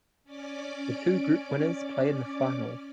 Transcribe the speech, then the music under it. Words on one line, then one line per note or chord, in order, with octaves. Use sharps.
The two group winners play in the final.
C#4 D5 D6